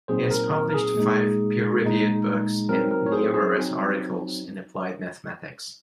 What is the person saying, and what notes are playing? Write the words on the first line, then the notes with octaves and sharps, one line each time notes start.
He has published five peer-reviewed books and numerous articles in applied mathematics.
A#2 F#3 C4 D#4 G#4 C5
A#4
A#4
A#4
G#4
A#2 G#3 D#4
A#2 G#3 D#4
F#3 C4 D#4 A#4
A#4
C#5
G#4 C5
G#4 C5
F#3 C4 D#4